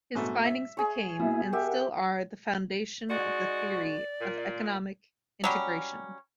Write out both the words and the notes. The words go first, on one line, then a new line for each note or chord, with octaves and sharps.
His findings became and still are the foundation of the theory of economic integration.
G#2 B2 A3
E5
G#4 C#5
B2 A#3 E4 E5
G4 A#4 E5 F#5
G#3 D#4 F#4 D5
A#2
F#3 G3 C#4